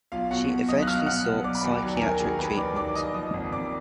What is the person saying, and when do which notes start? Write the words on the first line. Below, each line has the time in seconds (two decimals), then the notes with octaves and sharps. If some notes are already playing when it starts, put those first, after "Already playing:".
She eventually sought psychiatric treatment.
0.12 B1 F4 F5
0.31 B2 F#4 F#5
0.50 B1
0.69 B1 D#5 D#6
0.82 F#6
0.87 B1 F5 F6
1.06 B2 F#5 F#6
1.26 B2
1.44 B1 D5 D6
1.55 B5
1.63 D#2 D5 D6
1.82 F#3
1.96 G#5
2.01 D#3 A#4 A#5
2.20 F#3 G#4 G#5
2.39 D#2 B4 B5
2.57 D#3 D5 D6
2.76 D#2 D5 D6
2.95 D#2 D#5 D#6
3.14 F3 D#5 D#6
3.34 G#1
3.52 G#1 D5 D6